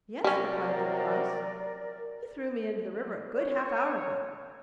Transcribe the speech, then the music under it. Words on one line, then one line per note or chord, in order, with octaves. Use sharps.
'Yes,' replied Little Klaus; 'you threw me into the river a good half-hour ago!'
C3 F#3 G3 C#4 A#4 D5
C#5